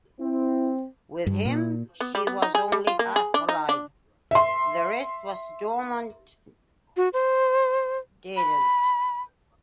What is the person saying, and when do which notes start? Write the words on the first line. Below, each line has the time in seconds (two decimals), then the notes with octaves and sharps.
With him, she was only half-alive; the rest was dormant, deadened.
0.20 C4 E4
1.27 G2
1.45 A#2
2.00 B3
2.15 G3
2.27 B3
2.42 D#4
2.55 G#4
2.72 G3
2.87 F4
2.99 A#3
3.16 G#4
3.34 D4
3.49 D#4
3.69 D4
4.31 E5 C6
6.97 F#4
7.13 C5
8.37 B5